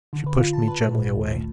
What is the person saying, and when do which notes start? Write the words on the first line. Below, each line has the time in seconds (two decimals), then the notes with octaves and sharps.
She pushed me gently away.
0.13 D3
0.26 B4
0.38 F4
0.53 A5
0.68 B4
0.86 A#2
0.98 A1
1.16 D#2
1.35 A3